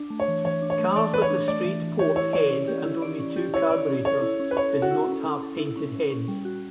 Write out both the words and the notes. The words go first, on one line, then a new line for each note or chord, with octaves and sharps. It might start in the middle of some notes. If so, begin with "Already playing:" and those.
Cars with the straight-port head and only two carburettors did not have painted heads.
Already playing: D4
A3
C#5
E3
E3 C#5
D4
C#5
A3
E3 D5
E3 B4
C#5
D4
A3 D5
E3
E3
G4 C#5
E4 C#5
C#5 D5
C#4
G4
E4
D5
C#4
G4
E4 C#5
D5
C#4
A4 C#5
E4
C#4
B4
C#4 C#5
A4
F#4
E4
C#4
C#4
A4
E4
C#4
C#4
C#4
G3
F#4